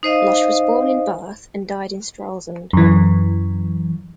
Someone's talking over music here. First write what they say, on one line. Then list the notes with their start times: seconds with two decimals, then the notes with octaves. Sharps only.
Losch was born in Barth and died in Stralsund.
0.03 D#4 C5 D#5 F5
2.73 F#2 E3